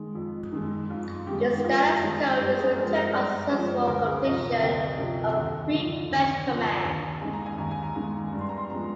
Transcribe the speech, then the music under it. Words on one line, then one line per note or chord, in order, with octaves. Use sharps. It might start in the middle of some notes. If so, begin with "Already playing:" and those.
This status code is returned on successful completion of a Pre-fetch Command.
Already playing: D#3 G#3
F2
D#3 G#3
F2 F4
D#3 G#3 G4
D#4
F2 F4
D#3 G#3 D#4
G2 G4
G#4
F3 G#3 A#4
G#4
A#4
G2 D5
F3 G#3 C5
D2 A#4
G#4
C3 F3 D#5
D2 G5
C3 F3
D#2
D3 F3
D#2
D3 F3
D#2 G#5
D#3 G#3 G#5
A#5
G#5
D#2 A#5
G#5
A#5
D#3 G#3 G#5
G2
C6
A#5
C6
F3 G#3 A#5